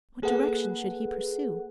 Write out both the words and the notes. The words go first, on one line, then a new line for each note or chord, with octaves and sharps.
What direction should he pursue?
A#3 G#4 A4 B4 F#5